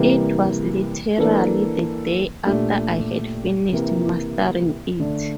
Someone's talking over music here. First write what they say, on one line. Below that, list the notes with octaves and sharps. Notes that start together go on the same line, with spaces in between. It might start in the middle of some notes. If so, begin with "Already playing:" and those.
It was literally the day after I had finished mastering it.
Already playing: C3 E3 G3 A#3
E3 A#3 D4 A4
A#2 A3 D4 G4
C3 E3 A#3 E4 G4
D3 A3 D4